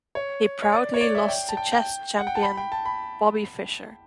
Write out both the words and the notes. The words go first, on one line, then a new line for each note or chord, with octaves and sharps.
He proudly lost to chess champion Bobby Fischer.
C#5
C#5
D5
C#5
D5
E5
G5
A5
G5
G5
F#5
G5
A5
B5
G5
A5
B5